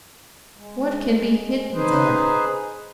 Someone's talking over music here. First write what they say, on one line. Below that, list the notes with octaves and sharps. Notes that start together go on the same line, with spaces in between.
What can be hidden there?
G#3
D#4 G#4 B4 C5